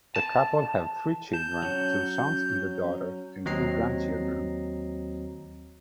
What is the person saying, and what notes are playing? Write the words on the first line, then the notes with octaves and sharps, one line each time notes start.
The couple have three children, two sons and a daughter, and two grandchildren.
A5
A5 G6
F#3 C#4
D#2 F#3 C4 D#5 A#5 C7